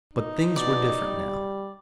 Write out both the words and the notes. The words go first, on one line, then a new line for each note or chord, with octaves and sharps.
But things were different now.
D#4
B2 D5
G3